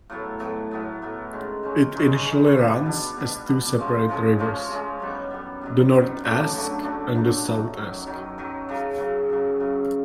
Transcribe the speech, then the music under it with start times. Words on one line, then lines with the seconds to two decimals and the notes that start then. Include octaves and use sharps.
It initially runs as two separate rivers: the North Esk and the South Esk.
0.10 A2 F#3 B3
0.40 A2 F#3 B3
0.71 A2 F#3 B3
1.02 A2 F#3 B3
1.33 D#3 G#3 C#4
1.63 D#3 G#3 C#4
1.94 D#3 G#3 C#4
2.24 D#3 G#3 C#4
2.55 B2 G3 B3 D4
2.85 B2 G3 B3 D4
3.17 B2 G3 B3 D4
3.47 B2 G3 B3 D4
3.77 C3 F3 G#3 C#4
4.09 C3 F3 G#3 C#4
4.39 C3 F3 G#3 C#4
4.69 C3 F3 G#3 C#4
5.00 F#2 D#3 G3 B3
5.30 F#2 D#3 G3 B3
5.61 F#2 D#3 G3 B3
5.92 F#2 D#3 G3 B3
6.23 D3 F#3 A3 D4
6.54 D3 F#3 A3 D4
6.84 D3 F#3 A3 D4
7.15 D3 F#3 A3 D4
7.45 F#2 D#3 F#3
7.76 F#2 D#3 F#3
8.07 F#2 D#3 F#3
8.38 F#2 D#3 F#3
8.69 F#2 C#3 F#3
8.98 F#2 C#3 F#3
9.30 F#2 C#3 F#3
9.60 F#2 C#3 F#3